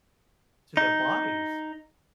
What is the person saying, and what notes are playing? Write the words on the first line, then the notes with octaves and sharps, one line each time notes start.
to their bodies?
D#4